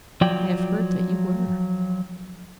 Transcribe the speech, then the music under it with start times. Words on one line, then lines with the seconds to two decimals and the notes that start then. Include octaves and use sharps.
I have heard that you were.
0.21 F3 F#3 D5 G5